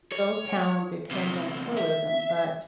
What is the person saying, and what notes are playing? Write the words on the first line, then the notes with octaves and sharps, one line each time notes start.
those towns depend on tourism, but,
C#5
E2 C3
E5